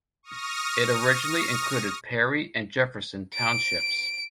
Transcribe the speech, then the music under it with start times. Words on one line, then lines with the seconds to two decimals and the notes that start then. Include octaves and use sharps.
It originally included Perry and Jefferson townships.
0.23 C#6 D#6 F6 A#6
3.34 D7